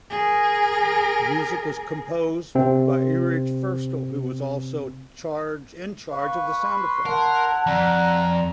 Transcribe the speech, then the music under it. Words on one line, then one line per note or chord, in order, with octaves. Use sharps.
The music was composed by Erich Ferstl, who was also in charge of the sound effects.
G#4 A#4
C3 C4
B4 F5 C#6
B5 C6
E4 A#4 F#5 A5
F2 D5 A#5